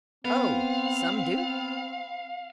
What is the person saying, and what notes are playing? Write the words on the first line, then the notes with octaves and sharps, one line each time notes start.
"Oh, some do!"
B3 C4 F5